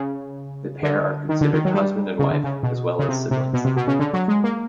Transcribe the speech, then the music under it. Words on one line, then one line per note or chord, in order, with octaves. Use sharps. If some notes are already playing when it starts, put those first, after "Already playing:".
The pair are considered husband and wife as well as siblings.
Already playing: C#3
D3
D#3
D3
D#3
F#3
G3
C#3
D3
C#3
B2
C#3
C3
C3
B2
C3
B2
C#3
D3
F#3
G#3
A#3